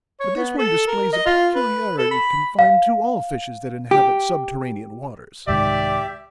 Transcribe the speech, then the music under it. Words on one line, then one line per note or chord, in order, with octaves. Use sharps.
But this one displays a peculiarity confined to all fishes that inhabit subterranean waters.
C#5
B3
A4
A#4
D#5
F4
B4
A4
B5
F5
G4
C2 G#2 D#3 G4 D5 E5